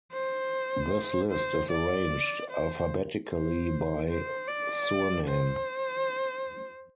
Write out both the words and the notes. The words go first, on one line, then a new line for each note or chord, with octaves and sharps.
This list is arranged alphabetically by surname.
C5
C5
D5
C5
C5
C5
D5
C5